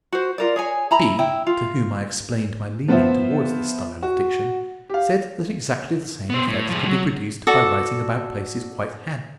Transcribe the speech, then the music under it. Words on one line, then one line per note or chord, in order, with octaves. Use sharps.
B., to whom I explained my leaning towards this style of diction, said that exactly the same effect could be produced by writing about places quite handy.
F#4 C5
F4 A#4 D5
G#4 C#5 G#5
E4 A#5 B5
E4 G5
F4
F3 B3 F4 C5 E5
F#4
G4 F5
B3 C5
A2
F3 G#3
F#3
F#4 A4 D5